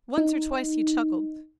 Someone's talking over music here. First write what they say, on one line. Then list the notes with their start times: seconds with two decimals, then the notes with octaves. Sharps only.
Once or twice he chuckled.
0.18 D#4